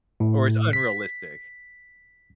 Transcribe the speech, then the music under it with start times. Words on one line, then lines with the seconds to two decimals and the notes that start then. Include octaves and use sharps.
Or, it's unrealistic.
0.20 A2
0.73 B6